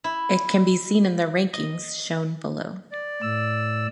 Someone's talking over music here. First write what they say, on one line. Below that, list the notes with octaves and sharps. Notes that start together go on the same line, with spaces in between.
It can be seen in the rankings shown below.
E4
D#5
D5
A2 E6